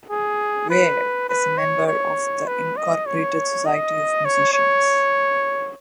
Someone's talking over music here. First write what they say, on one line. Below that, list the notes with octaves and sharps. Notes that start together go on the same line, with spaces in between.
Weir is a member of the Incorporated Society of Musicians.
G#4
B4
B4
C#5
C#5
B4
D#5
C#5
D#5
C#5
C#5